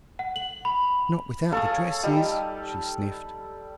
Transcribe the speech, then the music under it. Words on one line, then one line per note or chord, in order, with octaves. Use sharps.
"Not without the dresses," she sniffed.
F#5
F#7
B5
G#4 A4 C#5 F5
G3 D#4 G4